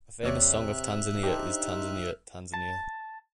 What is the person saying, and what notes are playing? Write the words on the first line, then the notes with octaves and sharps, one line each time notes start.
A famous song of Tanzania is Tanzania Tanzania.
D#2 C3 C#5 D5 E5 F6 F#6
D4 D#4 G4 C5
A5